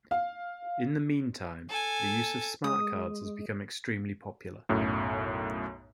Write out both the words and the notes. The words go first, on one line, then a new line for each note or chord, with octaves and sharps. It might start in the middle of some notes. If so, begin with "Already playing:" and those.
In the meantime, the use of smartcards has become extremely popular.
F5
A4 G#5
G#3 D#6
B1 F#2 A2